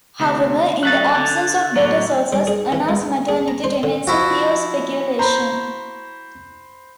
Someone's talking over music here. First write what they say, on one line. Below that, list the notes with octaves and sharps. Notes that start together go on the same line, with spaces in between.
However, in the absence of better sources, Anna's maternity remains a pure speculation.
D2 C3
F#3 A3 D#4 F#6 A6
D3
A2 D3 F#3
G3
G#4
E3
G#3
G#4
A#5
C5
D3
F3 E4 F#4
C5 A#5 B5